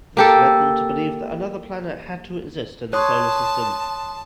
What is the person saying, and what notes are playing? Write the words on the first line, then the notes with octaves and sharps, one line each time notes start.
This led them to believe that another planet had to exist in the solar system.
A#3 G4 A4
C#5 A5 C6 D#6 F#6